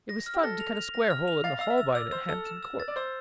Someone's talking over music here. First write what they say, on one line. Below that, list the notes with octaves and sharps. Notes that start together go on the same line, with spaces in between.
It was fun to cut a square hole in the Holbein at Hampton Court.
A#6
F6
G4
A4 A#6
F7
F7
A#6
F6
F7
F5 A6
F5 E6
E5
E6
D5 E6
C5 E6
A4 E6
E7
E6
A6
D5
C5 E6